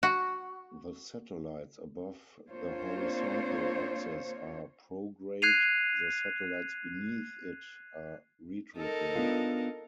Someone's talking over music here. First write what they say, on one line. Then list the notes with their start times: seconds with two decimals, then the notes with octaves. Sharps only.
The satellites above the horizontal axis are prograde, the satellites beneath it are retrograde.
0.03 F#4
2.50 A#3 C4 D4 F4 C5 C#5
5.42 F#6 G#6 C7 D#7 F7
8.77 D#4 A4 A#4
9.15 B3 D4 F4